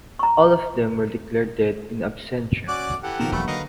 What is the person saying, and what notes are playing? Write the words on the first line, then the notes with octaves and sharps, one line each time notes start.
All of them were declared dead "in absentia".
A#5 C#6
C#4 F#4 D5 D6 F#6
E3 G4 A4 F#5
B2 D#3 F3 A#4
E1 F#3 A3 A#3 B5
D3 B4 D#5 F5 A#5